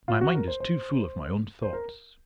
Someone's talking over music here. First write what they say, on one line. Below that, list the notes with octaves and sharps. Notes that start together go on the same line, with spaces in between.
"My mind is too full of my own thoughts."
F4
F#4
A#4
C5
C5
C5
A#4